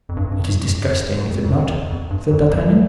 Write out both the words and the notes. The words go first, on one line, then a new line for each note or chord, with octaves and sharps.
"It is disgusting, is it not?" said D'Artagnan.
F2
G2
F2
G2
F2
G2
F2
G2
F2
G2
F2
F2
F2
G2
E2
F2
G2
F2
F2